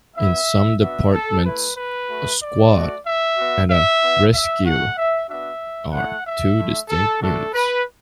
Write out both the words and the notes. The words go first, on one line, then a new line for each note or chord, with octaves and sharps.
In some departments, a "squad" and a "rescue" are two distinct units.
B3 E4 E5
B3 D4 F#4 E5
A4
A3 E4 B4
B4
A3 F#4
D5
A3 F#4
E5
B3 F#4
E5
B3 E4
E5
A3 F#4 F#5
E5
B3 D4 F#4 E5
A3 E4 F#5
E5
A3 E4
A4
A3 D4 F#4 A4
B4